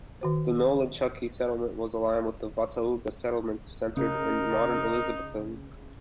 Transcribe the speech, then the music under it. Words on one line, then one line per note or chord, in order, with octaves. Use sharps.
The Nolichucky settlement was aligned with the Watauga settlement, centered in modern Elizabethton.
D#3 F#4 C5
C#3 D#4 A#4